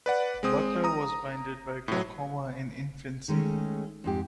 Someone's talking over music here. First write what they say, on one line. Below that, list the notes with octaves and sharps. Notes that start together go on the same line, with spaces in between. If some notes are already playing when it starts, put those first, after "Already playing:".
Butler was blinded by glaucoma in infancy.
B4 D5 F#5
G#3 C4 D#6
A#5 D#6
A2 F#3
D#3 G#3 A3 C#4
F2 G#2 G4